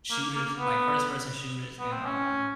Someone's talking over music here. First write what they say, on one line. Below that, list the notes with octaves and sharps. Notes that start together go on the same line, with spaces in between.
shooters like, first-person shooters and, um
A#3
A#3
B3
B3
C4
C#4